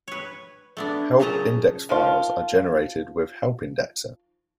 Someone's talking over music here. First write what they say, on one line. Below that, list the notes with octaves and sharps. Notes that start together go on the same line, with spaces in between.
Help index files are generated with Help Indexer.
B4 C#5
A3 B3 D4
A#2 C#3 F#3 D#5 A5 A#5
D#3 F3 F4